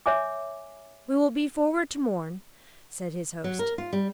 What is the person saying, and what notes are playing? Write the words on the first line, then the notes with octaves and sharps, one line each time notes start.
We will be forward to-morn, said his host.
C#5 E5 G#5 D6
F#3
A#4
F4
G3